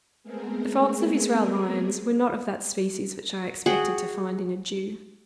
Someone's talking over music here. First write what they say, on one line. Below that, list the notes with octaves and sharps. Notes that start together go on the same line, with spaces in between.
The faults of Israel Lyons were not of that species which I expected to find in a Jew.
G#3 A3 B3 C4 G#4 A#4
F#4 G#4 F#5 G5